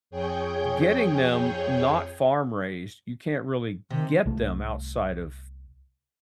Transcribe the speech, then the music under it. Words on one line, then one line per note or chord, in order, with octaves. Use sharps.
getting them not farm-raised, you can't really get them outside of
F2 G#4 C#5 G5 G6
C3 D#3
C2 A3